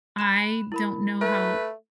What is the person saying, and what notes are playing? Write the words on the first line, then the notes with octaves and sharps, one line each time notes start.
I don't know how
B5 F#6 E7
E4 A#4 B5
A3 B4